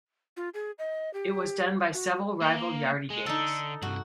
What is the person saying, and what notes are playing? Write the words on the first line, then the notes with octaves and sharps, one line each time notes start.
It was done by several rival yardie gangs.
F4
G#4
D#5
G4
F#4
A#3
G#3
D3 D#4 A4
C2 G2 F#4